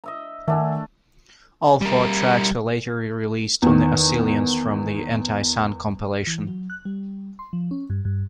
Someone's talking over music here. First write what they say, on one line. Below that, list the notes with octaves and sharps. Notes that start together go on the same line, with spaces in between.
All four tracks were later re-released on the Oscillons from the Anti-Sun compilation.
D#5 E5 A#5
D#3 A3 D4 E5 F#5 G#5
G3 A#4
E2 D#3
E3
F#3
F#6
G3
C6
F3
C#4
G2
G2